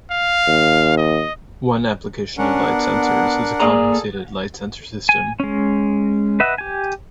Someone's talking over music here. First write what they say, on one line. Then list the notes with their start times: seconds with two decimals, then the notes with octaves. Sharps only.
One application of light sensors is the compensated light sensor system.
0.11 F5
0.47 D#2
0.97 D#5
2.38 C#4 D4 A#4 F#5
2.66 B3
3.60 A#3 G#4 D5 A#5
3.91 A4
5.09 G#5
5.40 G#3 C#4
6.40 B4 D#5 E5 F#5
6.58 G4 G#5